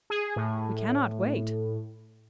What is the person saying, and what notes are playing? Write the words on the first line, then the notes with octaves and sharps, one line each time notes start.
"We cannot wait."
G#4
A2